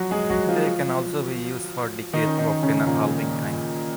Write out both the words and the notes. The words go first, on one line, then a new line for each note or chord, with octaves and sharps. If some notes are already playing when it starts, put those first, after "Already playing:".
They can also be used for decay to obtain a halving time.
Already playing: F3 F#3 F#4
G#3 G#4
F#3 F#4
F3 F4
D#3 D#4
C#4
D#3 D#4
C#3 C#4
A#2 A#3